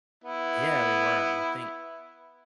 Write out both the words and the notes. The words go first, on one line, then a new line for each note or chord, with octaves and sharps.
Yeah, they were, and I think
B3 E4